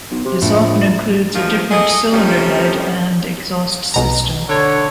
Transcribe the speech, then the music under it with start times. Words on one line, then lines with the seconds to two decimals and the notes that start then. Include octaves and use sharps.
This often includes a different cylinder head and exhaust system.
0.11 B1
0.25 C3
0.42 A#1 A2
1.34 E2 G2 D#3 F3
1.71 E4 G#4 A4 D#5
2.13 F2 C3 E3 F3 G3 C#4
3.94 B1 B2 A#5
4.49 D3 C#5